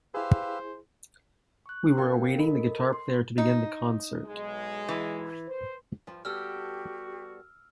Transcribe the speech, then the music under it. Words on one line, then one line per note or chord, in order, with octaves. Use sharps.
We were awaiting the guitar player to begin the concert.
E4 G4 G#4 B4 C5 F5 E6
C#6 F#6
C#4 F#4 A#4 F5 G5
A4 A#4 D#5 B5
C6
D#4
B1 G#3
E3
C5
G2 F3
G3 B3 F#4 G4 A4 E6 F6